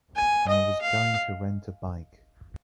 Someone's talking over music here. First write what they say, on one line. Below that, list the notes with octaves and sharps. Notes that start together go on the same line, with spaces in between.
I was going to rent a bike.
G#5
D#5
F5